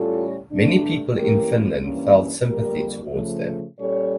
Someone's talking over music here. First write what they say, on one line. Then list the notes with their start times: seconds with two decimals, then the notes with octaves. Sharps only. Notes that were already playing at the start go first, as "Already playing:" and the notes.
Many people in Finland felt sympathy towards them.
Already playing: A2 G3 C#4 F4 A4
0.51 G2 D3 A3 D4
1.16 A2 E3 A#3 C#4 G4 A#4
1.82 G2 E3 A#3 C#4
2.48 F2 D3 G3 A#3 G4 A#4
3.14 C#3 F3 A3
3.79 A#2 G3 C#4 A4 C#5